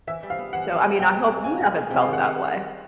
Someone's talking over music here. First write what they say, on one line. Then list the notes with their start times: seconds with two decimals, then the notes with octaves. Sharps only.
So, I mean, I hope you haven't felt that way.
0.07 E3 E5
0.23 G3
0.30 F5
0.38 B3
0.53 E3 F#5
0.69 E3
0.84 G3
0.99 B2 G5
1.14 G#3
1.29 C4
1.44 F4 G#5
1.60 B2
1.75 G#3
1.90 C3 G5
2.01 F5
2.06 D#3
2.13 F#5